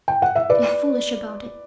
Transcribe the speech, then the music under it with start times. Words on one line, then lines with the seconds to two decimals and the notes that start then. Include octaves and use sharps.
Be foolish about it.
0.08 G5
0.22 F#5
0.36 E5
0.50 B4 D5